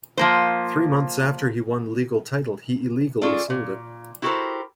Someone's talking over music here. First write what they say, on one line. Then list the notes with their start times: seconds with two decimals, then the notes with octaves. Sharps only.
Three months after he won legal title, he illegally sold it.
0.17 F3 A#3 C5
3.21 C#4 F4 G#4 A4 D5
3.50 A#2
4.22 E4 F#4 G4 A4 A#4 C5